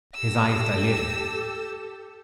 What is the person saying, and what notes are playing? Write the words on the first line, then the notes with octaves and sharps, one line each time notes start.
His eyes dilated.
G4 A4 E6 A#6